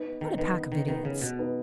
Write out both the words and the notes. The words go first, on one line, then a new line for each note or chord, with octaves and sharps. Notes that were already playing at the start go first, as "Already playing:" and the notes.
What a pack of idiots!
Already playing: B3 D#4 B4
D#3
D#3 B3 D#4 B4
D#3
D#3 B3 D#4 B4
C#3
B2
B3 D#4 B4